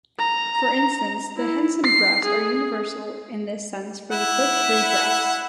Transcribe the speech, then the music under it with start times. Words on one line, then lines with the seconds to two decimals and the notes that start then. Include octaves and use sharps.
For instance, the Henson graphs are universal in this sense for the -clique-free graphs.
0.19 A#5
1.37 E4
1.84 C7
2.25 G#4
4.11 E4 F#5